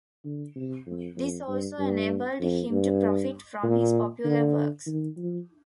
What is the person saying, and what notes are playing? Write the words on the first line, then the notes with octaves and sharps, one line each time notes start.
This also enabled him to profit from his popular works.
D3
C3
F2
F2
G2
G2
F2
G2
A#2
D3
D#3
F3